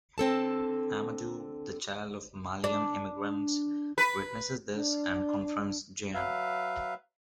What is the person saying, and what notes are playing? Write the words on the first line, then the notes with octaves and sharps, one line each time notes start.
Amadou, the child of Malian immigrants, witnesses this and confronts Jean.
D3 C4 A4 A5
D4
B4
D4
F#3 B4 E5 F5